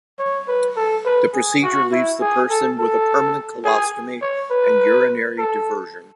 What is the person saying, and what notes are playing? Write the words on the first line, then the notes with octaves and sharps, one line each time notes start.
The procedure leaves the person with a permanent colostomy and urinary diversion.
C#5
B4
A4
B4
G#4
F#4
E4
G#4
A4
A4
G#4
C#5
B4
A4